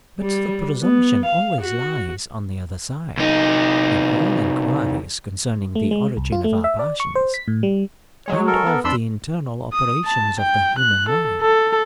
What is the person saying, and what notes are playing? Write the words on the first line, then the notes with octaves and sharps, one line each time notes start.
But the presumption always lies on the other side, in all enquiries concerning the origin of our passions, and of the internal operations of the human mind.
G3
B3
F5
F#4
C2 D#4
A3
G#3
C2
F4
A3
E5
D5
C#6
C5
B6
A2
G3
F#3 G#3 C#5
A4 A#4
B3
F2 D4 B5 C6 E6
D#6
A5
G5
F#6
A4
A4